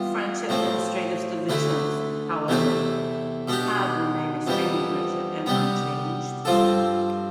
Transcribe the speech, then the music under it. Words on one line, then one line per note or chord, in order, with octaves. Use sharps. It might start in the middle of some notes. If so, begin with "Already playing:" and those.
French administrative divisions, however, have remained extremely rigid and unchanged.
Already playing: E3 G3 B3 F4
A2 F3 C4
D2 D3 A3 E4
E2 C3 E3 A3 E4
B2 B3 D4 G4
F2 E3 G3 B3
C3 G3 B3
G2 F3 C4 F4 A4